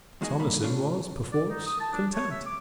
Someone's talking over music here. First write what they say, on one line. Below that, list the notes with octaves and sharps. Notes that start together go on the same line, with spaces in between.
Thomasin was perforce content.
E2 D#3 G#3 F#4 G#4 D#5
G2 D#3 A#3 B5
A3 C#4 D4 F4
D5
D#4
D#6
A5
D4
C#5
E5
D6